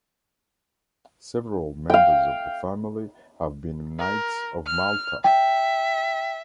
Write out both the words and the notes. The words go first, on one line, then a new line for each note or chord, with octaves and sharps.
Several members of the family have been Knights of Malta.
F5 G5
A#4
F6
E5 G5